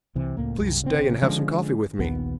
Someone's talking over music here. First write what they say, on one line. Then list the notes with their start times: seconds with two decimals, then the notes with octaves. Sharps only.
"Please stay and have some coffee with me."
0.15 C2 C3 E3
0.37 C#2 A2 A#3
0.59 C2 F#2
0.82 A1 C#3 E3 C4
1.22 D3 F3 G#3 C#4
1.99 A#1 D#2 B3